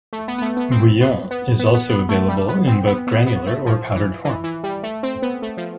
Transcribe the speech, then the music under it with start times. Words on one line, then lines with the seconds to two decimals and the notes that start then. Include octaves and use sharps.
Bouillon is also available in both granular or powdered form.
0.13 A3
0.28 B3
0.38 B3
0.42 A3
0.57 B3
0.71 C4
1.01 B3
1.31 B3
1.59 B3
1.75 B3
1.90 B3
2.09 A3
2.29 G3
2.49 B3
2.67 C4
2.87 B3
3.07 B3
3.26 B3
3.47 A3
3.66 F3
3.96 E3
4.25 E3
4.44 E3
4.64 G3
4.83 A3
5.03 C4
5.22 B3
5.42 A3
5.57 F3